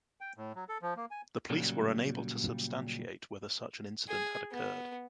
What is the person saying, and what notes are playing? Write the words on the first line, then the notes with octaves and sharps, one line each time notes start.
The police were unable to substantiate whether such an incident had occurred.
G5
A2
F#3
A4
F3
A#3
G#5
A#2 C#3 F#3 G3
G#4
B3